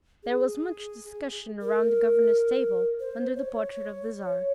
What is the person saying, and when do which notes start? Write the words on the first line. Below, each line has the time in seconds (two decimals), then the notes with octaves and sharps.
There was much discussion around the governor's table under the portrait of the Tsar.
0.23 G#4
1.61 A#4
3.00 C5
3.35 C#5